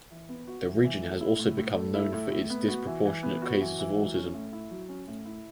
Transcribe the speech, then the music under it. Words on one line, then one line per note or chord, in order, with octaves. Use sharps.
The region has also become known for disproportionate cases of autism.
E3
B3
F#4
E3
E3
A3
E4
A2
A2
A3
E4
A2
A2
B3
F#4
E3
E3
B3
F#4
E3
E3
F#3
C#4
A2
E4
F#3
C#4
A2
E4